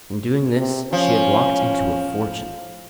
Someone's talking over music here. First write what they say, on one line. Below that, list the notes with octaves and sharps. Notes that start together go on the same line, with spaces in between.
In doing this she had walked into a fortune.
C3
F3 C#4